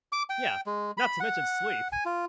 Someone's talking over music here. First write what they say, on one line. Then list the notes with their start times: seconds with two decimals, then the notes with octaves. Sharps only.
Yeah, not to mention sleep.
0.12 D6
0.30 G5
0.66 G#3
0.98 B5
1.20 F#5
1.92 G#5
2.05 F4